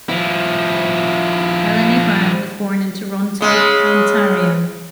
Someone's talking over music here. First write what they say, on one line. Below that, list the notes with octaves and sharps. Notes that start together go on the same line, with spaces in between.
Melleny Brown was born in Toronto, Ontario.
F3 E4
C#3 G#3